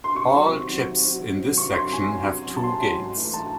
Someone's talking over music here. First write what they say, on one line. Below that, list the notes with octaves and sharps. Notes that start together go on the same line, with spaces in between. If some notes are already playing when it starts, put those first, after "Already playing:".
All chips in this section have two gates.
C6
C3 C#6
D#3 F#3 C4 F#4
C3
D#3 F#3 C4 F#4
C3
D#3 F#3 C4 F#4
C3
D#3 F#3 C4 F#4
C3 C#6
F#3 C#4 F#4 C6
C3 G#5
F#3 C#4 F#4
C3
F#3 C#4 F#4
A5
C3 C6
F#3 C#4 F#4
G#2
E3 A3
A5